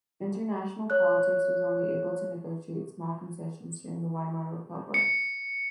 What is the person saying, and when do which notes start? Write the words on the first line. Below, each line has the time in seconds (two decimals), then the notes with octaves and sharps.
International politics was only able to negotiate small concessions during the Weimar Republic.
0.90 C#5 F#6
4.94 C#7